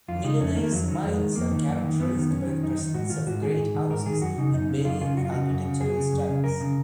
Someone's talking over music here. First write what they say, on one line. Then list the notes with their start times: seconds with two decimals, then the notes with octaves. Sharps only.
Millionaires' Miles are characterized by the presence of great houses in varying architectural styles.
0.08 F2 F4
0.24 C#3 D#4
0.40 F2 C#4
0.56 D#3 A#3
0.72 F2 F#3
0.88 D#3 F#3
1.03 F2 G#3
1.19 D#3
1.36 F2 A#3
1.51 D#3
1.67 F#2
1.83 D#3
1.99 F#2 B3
2.15 D#3
2.31 F#2 C#4
2.47 D#3
2.63 F#2 D#4
2.78 D#3 D#4
2.94 G#2 F#4
3.10 D#3 F4
3.26 G#2 F#4
3.42 D#3 G#4
3.58 G#2
3.75 D#3
3.89 G#2 A#4
4.06 D#3 G#4
4.22 F#2 F#4
4.38 C#3 D#4
4.54 F#2 D#4
4.69 C#3
4.85 F#2 F4
5.01 C#3 F4
5.17 F#2 F#4
5.25 F4
5.32 C#3 F#4
5.50 F#2
5.65 C#3
5.81 F#2 G#4
5.96 C#3
6.13 F#2
6.29 C#3
6.44 F#2 A#4
6.60 C#3